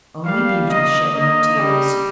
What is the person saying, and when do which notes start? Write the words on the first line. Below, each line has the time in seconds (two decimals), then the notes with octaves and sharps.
Only Beauty shed no tears.
0.24 G3 F5
0.69 A#3 D#5
1.14 A#3 D#5
1.58 G3